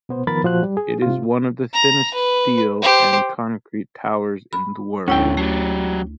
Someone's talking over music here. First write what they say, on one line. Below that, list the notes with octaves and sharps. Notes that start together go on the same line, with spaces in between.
It is one of the thinnest steel and concrete towers in the world.
B2 B3 C5
D#3 F3 B3 A#4 B5 A6
A#2 F3 F#4 C5 F#6
G3
G#4
C3 F4
A#5
B4
G4 C5
B5
D2 G#2 D3 C#4 E4 G5
F#3 A3 G4